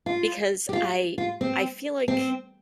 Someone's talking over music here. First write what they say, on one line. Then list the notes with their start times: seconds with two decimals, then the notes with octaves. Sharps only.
Because I I feel like
0.06 F4
0.69 G4
0.73 F4
1.18 F4
1.41 C4
2.08 C4